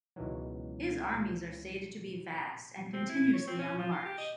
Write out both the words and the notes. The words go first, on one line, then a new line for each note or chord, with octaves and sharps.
His armies are stated to be vast and continuously on the march.
C#2 B2 D#3 E3 F#3
C4
E4
C#5
C4
C#4
F3
F4
G4
D#5